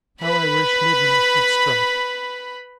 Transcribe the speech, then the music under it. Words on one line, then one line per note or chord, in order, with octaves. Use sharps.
"How I wish midnight would strike!"
B4 B5